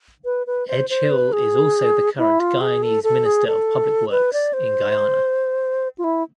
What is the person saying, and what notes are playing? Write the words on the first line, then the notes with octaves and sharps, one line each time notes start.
Edghill is also the current Guyanese Minister of Public Works in Guyana.
B4
B4
C5
C5
B4
G#4
E4
F4
G#4
A4
A4
G#4
A4
B4
D5
C5
F4
E4